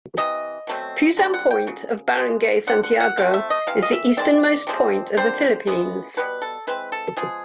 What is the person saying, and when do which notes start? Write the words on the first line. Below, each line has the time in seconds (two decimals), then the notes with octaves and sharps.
Pusan point of Barangay Santiago is the easternmost point of the Philippines.
0.17 C3 E3 D#5
0.67 B2 F#3 A3 C4
1.17 D3 G3 C4
1.34 F#5
1.51 G5
1.67 C#3 F#3
2.18 B2 G#3 B3
2.67 D3 G3 C4 F#5
2.83 F#5
3.00 F#5
3.17 F3 A3 C4 F5
3.34 E5
3.50 D#5
3.67 C3 E3 F5
3.82 D#5
3.92 E5
4.17 D#3 G#3 C4 D5
4.67 C3 F3 G#3 C4
5.17 D3 G3 C4 C5
5.67 C#3 E3 G#3 B3
6.17 B2 G3 B3 B4
6.42 A4
6.67 E3 G#3 C4 B4
6.92 A4
7.17 F3 G#3 B3 G#4